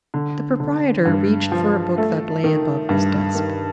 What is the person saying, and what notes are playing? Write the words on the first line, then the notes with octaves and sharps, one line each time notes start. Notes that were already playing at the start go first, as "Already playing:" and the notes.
The proprietor reached for a book that lay above his desk.
D3
D3
G2
F3
A3
D#3
G2
D#3